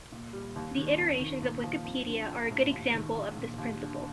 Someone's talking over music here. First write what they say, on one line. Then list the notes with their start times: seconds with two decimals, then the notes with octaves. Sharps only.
The iterations of Wikipedia are a good example of this principle.
0.12 A#2
0.33 G3
0.56 D#2
0.77 D#3
0.99 F2
1.19 D#3
1.41 A#2
1.64 F3
1.84 F2
2.06 D3
2.28 A#1
2.50 A2
2.71 D#2
2.93 D#3
3.15 A#1
3.37 A#2
3.58 D#2
3.80 D3